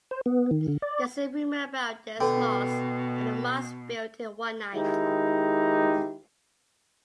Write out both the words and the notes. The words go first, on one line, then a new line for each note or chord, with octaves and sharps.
There is a rumour about this mosque that the mosque built in one night.
C5
B3
D#3
D3
D5
B2 D3 B4 G5
D#3 G#3 D#4 E4 G4